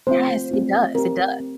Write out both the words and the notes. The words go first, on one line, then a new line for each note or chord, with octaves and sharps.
Yes, it does, it does.
A3 C4 F4 C5
A3 C4 F4
C4 G4 A#4
C4